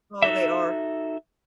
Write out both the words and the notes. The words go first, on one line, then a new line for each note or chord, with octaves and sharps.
Oh, they are.
D#4 F#4 A4 E5